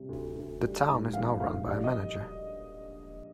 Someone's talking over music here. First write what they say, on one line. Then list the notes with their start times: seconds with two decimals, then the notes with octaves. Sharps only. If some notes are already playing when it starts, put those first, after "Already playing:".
The town is now run by a manager.
Already playing: C3 G3
0.09 D2
0.36 D2
0.61 G3
0.88 G#2
1.13 A#1 F5
1.41 A#1 F5
1.66 G3 D5
1.84 D#5